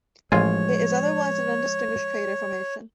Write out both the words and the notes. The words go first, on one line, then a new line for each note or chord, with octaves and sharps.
It is otherwise an undistinguished crater formation.
A1 F3 G#3 F4 C#5 G#5